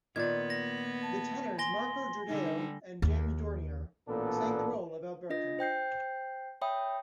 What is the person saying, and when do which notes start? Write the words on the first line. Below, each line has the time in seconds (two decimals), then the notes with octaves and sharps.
The tenors Marco Jordao and James Dornier sang the role of Alberto.
0.16 A#2 D#3 B3 G#6 A6
0.50 A#6
1.02 A5
1.59 G#5 C6 A#6 G7
2.28 D3 G3 D#4
3.02 D#2
4.08 A1 A#2 B3 D4 A4
5.30 D4 F4 D#5 A#6
5.59 C5 G5 G6 C7
6.61 C#5 E5 G5 B5 D#6